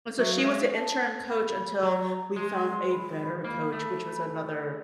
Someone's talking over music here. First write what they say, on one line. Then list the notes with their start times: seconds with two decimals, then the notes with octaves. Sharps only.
And so, she was the interim coach until we found a better coach, which was another
0.19 F#3 E5
0.32 F5
0.38 G#3
0.44 E5
0.73 A5
1.28 B5
1.83 F#3 A#5
2.36 G#3 C6
2.90 B5
3.44 A#3 B5
3.73 A3